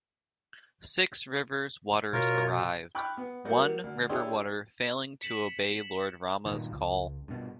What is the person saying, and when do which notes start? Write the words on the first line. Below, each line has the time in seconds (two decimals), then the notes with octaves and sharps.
Six rivers waters arrived, one river water failing to obey Lord Rama's call.
2.13 B2 F4 A#4 C#5
2.95 G5 B5 C#6 D6 F6 F#6
3.17 B3
3.45 F#3 G3 A#3 F#5
3.84 D2
4.09 D4 E4 G4 G#4 C#5 C6
5.21 B6 C#7 E7 F#7
6.46 G2 A#2 D#3
6.71 C#2
7.28 G2 B2